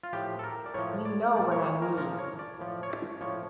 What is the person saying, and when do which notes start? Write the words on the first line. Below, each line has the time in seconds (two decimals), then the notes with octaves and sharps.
You know what I mean.
0.03 F4
0.13 A2 F3 G4
0.39 A4
0.43 A#4
0.66 D5
0.74 A2 F3 C#5
1.05 D5
1.36 A#2 F3 D5
1.52 C#5
1.67 C#5
1.82 A#4
1.97 A#2 F3 A#4
2.19 C#5
2.39 D5
2.59 A2 F3
2.83 C#5
2.90 D5
3.21 A2 F3 C#5